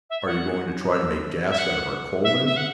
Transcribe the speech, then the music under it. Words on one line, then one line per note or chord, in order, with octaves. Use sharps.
"Are you going to try to make gas out of our coal then?"
E5
F#5
E6
E5
F#5
E5
E5
F#5